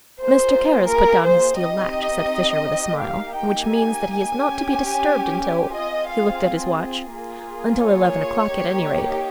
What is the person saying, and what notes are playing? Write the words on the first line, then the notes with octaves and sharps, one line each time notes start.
"Mr. Kara's put down his steel latch," said Fisher with a smile, "which means that he is not to be disturbed until--" he looked at his watch, "until eleven o'clock at any rate."
A#3 F4 G#4 C5
A#4
C5
C4 D#4 G4 D#5
A#3 D#4 G4 F5
G5
G#5
C#4 G4
C4 F4 G#4 D#5
F5
A#3 F4 G#4
C#5
A#3 D#4 G4